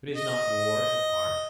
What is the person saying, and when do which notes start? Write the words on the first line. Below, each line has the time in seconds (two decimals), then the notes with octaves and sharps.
But is not war an art?
0.16 D#5